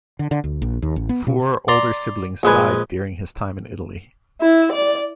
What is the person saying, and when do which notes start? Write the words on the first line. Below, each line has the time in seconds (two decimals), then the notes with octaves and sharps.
Four older siblings died during his time in Italy.
0.19 D3
0.31 D3
0.44 D2
0.62 A#1
0.82 D#2
0.96 A1
1.09 B3
1.27 B2
1.68 D5 A#5 C6
2.43 A#1 G#3 B4 G#5
4.41 E4
4.72 D5